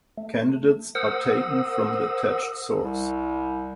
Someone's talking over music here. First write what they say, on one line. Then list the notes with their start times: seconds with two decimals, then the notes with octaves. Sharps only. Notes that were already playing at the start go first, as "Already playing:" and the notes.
Candidates are taken from the attached source.
0.18 A3
0.95 A#4 C5 F#5 D#6 E6
2.80 C2